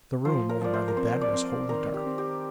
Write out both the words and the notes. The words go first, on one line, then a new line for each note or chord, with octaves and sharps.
The room, over by the bed, was wholly dark.
F3 C5
A#4
F3 D5
C5
A#4
C4 C5
D5
C4
D#3 A#4
G4
C4
G4